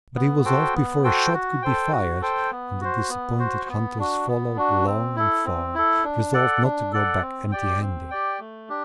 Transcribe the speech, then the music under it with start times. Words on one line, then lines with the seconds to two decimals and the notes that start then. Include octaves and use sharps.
But he was off before a shot could be fired, and the disappointed hunters followed long and far, resolved not to go back empty-handed.
0.16 B3
0.45 F#4 A4 C5 G5
0.74 B3
1.04 F#4 A4 C5 G5
1.33 F#4
1.62 A4 C5 G5
1.92 F#4
2.21 A4 C5 G5
2.51 B3
2.81 F#4 C5
3.09 B3
3.39 F#4 C5
3.69 B3
3.99 D4 F#4
4.28 B3
4.57 D4 F#4
4.87 C4
5.16 E4 A4
5.45 C4
5.75 E4 A4
6.04 D4
6.33 A4 D5 F#5
6.63 D4
6.92 A4 D5 F#5
7.22 C4
7.52 G4 D5 G5
7.80 C4
8.10 G4 D5 G5
8.40 A3
8.69 D4 G4